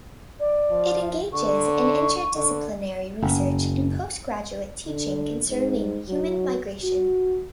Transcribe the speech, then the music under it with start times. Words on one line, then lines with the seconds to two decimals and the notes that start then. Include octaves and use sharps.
It engages in interdisciplinary research and postgraduate teaching concerning human migration.
0.40 D5
0.70 F3
1.33 D3 C#6
2.35 D3
3.22 F#1
4.87 D3
5.50 G#2
6.09 F#3
6.83 F#4